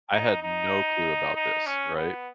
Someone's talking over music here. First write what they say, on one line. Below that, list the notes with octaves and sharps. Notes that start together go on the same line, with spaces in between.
I had no clue about this, right?
D#4
D#4
D#4
C#4
B3